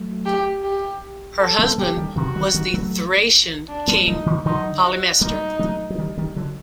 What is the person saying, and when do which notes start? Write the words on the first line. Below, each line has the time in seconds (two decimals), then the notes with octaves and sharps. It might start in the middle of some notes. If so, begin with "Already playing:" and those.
Her husband was the Thracian king Polymestor.
Already playing: F#3 A3
0.26 G4
0.64 G4
1.40 A4
1.59 G3 A#3
1.78 G3 A#3 G4
1.97 D#3 G3
2.16 C3 D#3 F#4
2.36 D#3 G3
2.54 D#3 G3
2.74 F#3 A3
3.69 D4
3.88 G3 A#3
4.08 F#3 A3 D#4
4.26 D#3 G3
4.45 D3 F#3 D#4
4.84 F#4
5.21 G3 A#3 D#4
5.59 F#3 A3
5.90 F#3
5.98 D#3 G3
6.18 D#3 G3
6.36 D3 F#3